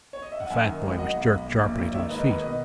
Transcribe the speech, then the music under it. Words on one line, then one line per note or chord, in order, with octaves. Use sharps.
The fat boy was jerked sharply to his feet.
C#5
D#5
E5
F#5
F#2 E5 G#5
D#3
G#1
F#3 D#5 F#5
B1
B1
A#1
A#1
A#1
D#3 C#5 E5
G#2 B4 D#5
D#3 B4
B2 B4 D#5